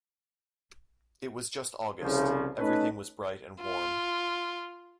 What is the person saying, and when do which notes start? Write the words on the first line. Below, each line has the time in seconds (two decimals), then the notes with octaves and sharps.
It was just August; everything was bright and warm.
2.02 C2 C#3 F3
2.58 A3 C#4 D#4 A4 B4
3.62 F4